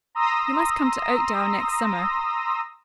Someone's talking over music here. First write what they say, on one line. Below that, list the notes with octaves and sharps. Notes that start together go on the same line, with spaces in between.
You must come to Oakdale next summer.
A#5 C6 D#6 E6 A#6